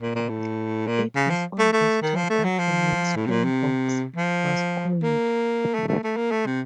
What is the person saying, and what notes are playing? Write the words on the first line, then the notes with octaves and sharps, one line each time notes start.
It was on this tour that the name 'Springboks' was coined.
A#2
A#2
A2
A#2
C#3
F3
A3
A3
D#3
F3
A3
F#3
F3
A2
C3
A#2
C3
F3
A#3
A3
A3
A3
A#3
A3
C3